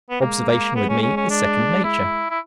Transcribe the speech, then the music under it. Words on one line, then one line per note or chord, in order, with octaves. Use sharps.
Observation with me is second nature.
B3
G#3 A#3
A#3
G#3 B3
C#4
C#4
C#4
D4
E4
E4